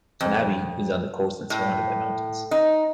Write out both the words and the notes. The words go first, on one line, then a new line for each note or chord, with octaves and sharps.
Tanabe is on the coast and surrounded by mountains.
F2
A2
D#4